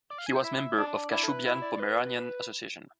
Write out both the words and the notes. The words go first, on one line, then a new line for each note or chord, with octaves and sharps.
He was member of Kashubian-Pomeranian Association.
D5
F5
G#5
C5
E4 E5
D4 D5
E4 D5
A4
B4
E4
D5
B4